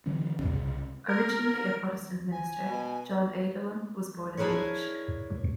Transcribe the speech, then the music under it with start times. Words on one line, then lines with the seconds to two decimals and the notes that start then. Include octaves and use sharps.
Originally a Protestant minister, John Adelham was born in Wiltshire.
0.06 D3 E3 F#3 C#4
0.39 C2 C#3 C#4
1.07 A#4
2.32 G#5
2.64 B2
4.37 D4 E4 G#4 A#4 B4 C#5